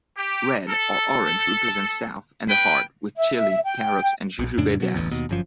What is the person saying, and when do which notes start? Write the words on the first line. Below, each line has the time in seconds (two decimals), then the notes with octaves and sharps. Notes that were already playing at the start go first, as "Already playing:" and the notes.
Red or orange represents South and the heart, with chilli, carrots, and jujube dates.
0.17 G4
0.69 A4
2.49 B4 G5
3.17 E5
3.65 G5
4.39 A#1
4.58 F2 A2 C#3 D4
4.80 B2 F#3
4.95 D1 A1 E2
5.11 D#2 B2
5.29 G1 F#2 F3